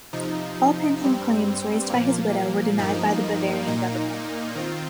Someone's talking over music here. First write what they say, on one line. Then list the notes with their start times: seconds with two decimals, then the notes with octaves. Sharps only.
All pension claims raised by his widow were denied by the Bavarian government.
0.13 C3 F3 D#4
1.01 G2 G3 C4
1.90 A#2 F3 A#3
2.78 G2 F3 A#3 D#4
3.67 A#2 A#3 D#4
4.55 D#3 C4 F4